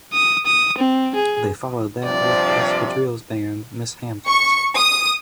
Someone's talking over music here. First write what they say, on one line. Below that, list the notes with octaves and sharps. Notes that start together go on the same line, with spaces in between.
They followed that with the espadrilles brand, Miss Hamptons.
D#6
D#6
C4
G#4
G2 C3 F3 D5
C#6
D#6